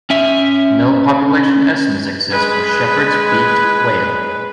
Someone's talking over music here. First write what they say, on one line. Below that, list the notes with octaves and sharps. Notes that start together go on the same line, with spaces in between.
No population estimates exist for Shepherd's beaked whale.
C#4 E5
G#3 B4